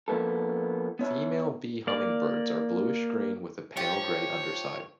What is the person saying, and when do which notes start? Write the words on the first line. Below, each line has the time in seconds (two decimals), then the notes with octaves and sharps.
Female bee hummingbirds are bluish green with a pale gray underside.
0.08 F3 A#3 B3 A4
0.99 B3 C#5 E5
1.87 A#3 D5
3.77 F3 G4 C#5